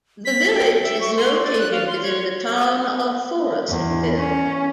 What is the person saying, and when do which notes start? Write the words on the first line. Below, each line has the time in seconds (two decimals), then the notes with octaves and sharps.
The village is located within the Town of Forestville.
0.25 B6
0.54 G5
0.71 G5
0.84 E5
1.01 C#6
1.17 C6
1.43 D5
1.59 F#6
1.71 F5
1.88 C6
2.02 C#5
3.69 E2
4.18 C#4